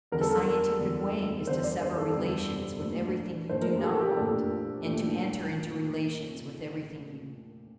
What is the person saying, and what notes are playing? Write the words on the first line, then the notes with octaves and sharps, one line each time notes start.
The scientific way is to sever relations with everything you do not want, and to enter into relations with everything you do want.
E2 D3 G3 A#4
A4
A#4
E2 D3 G3
E2 D3 G3 C5
D5
C5
A4
E2 D3 G3
A#2 A3 D4
A#2 A3 D4 C5
A#4
C5
G4
A4
G4
A#2 A3 D4 A4
A#2 A3 D4